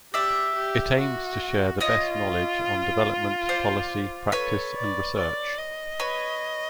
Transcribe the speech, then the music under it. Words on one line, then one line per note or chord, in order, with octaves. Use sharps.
It aims to share the best knowledge on development, policy, practice and research.
G4 D5 E5
G4
F#4
F4 C#5 D#5
C5 D5
A4 B4 C#5
D5
D5
D#5
B4 C#5